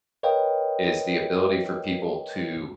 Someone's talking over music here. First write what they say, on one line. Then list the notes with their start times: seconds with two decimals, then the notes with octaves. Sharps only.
is the ability for people to
0.23 A#4 B4 C#5 D#5 F5 G5